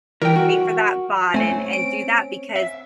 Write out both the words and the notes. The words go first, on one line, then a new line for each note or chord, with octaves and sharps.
pay for that bot and and do that because
E3 G3 A#4 G5
F#4
A3 C4 C#4 G#5
D7
E5